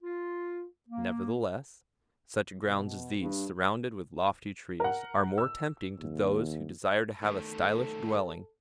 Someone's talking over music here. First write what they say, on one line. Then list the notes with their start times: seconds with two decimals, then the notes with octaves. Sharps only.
Nevertheless, such grounds as these, surrounded with lofty trees, are more tempting to those who desire to have a stylish dwelling.
0.03 F4
0.89 A#3
2.66 B2
3.20 G2
4.80 A#4 F#5
5.38 E6
5.99 D#2
7.23 D#3 A3 A4